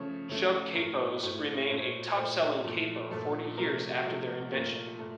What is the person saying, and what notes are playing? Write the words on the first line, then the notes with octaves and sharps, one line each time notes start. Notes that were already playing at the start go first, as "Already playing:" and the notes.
Shubb capos remain a "top-selling" capo forty years after their invention.
Already playing: C#3 F3 A3 C#5
C#3 F3 A3 C#5
A2 A3 A#4
A2 A3 C5
A#2 A3 C#5
C5
C#5
A#2 A3 C5
A#2 F3 A3
A#2 F3 A3 A4
C3 F3 A3 A#4
F#4
C3 F3 A3
A#2 A3 A#3
A#2 A3